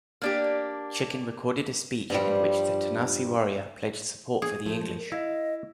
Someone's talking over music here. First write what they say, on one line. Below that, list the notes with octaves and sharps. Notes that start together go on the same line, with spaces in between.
Chicken recorded a speech in which the Tanasi Warrior pledged support for the English.
A#3 D4 G4
G2 F3 G3
G#4
F3 A3
A#4
E4 D#5 F5